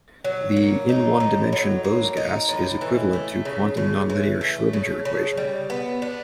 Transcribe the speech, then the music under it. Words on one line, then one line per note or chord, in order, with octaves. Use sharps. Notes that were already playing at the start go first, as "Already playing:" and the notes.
The In one dimension Bose gas is equivalent to quantum non-linear Schroedinger equation.
F#3
A#3
D#4
A2
F#3
A#3
D#4
A2
E3
A3
C#3
C#3
E3
A3
C#3
C#3
G3
B3
D4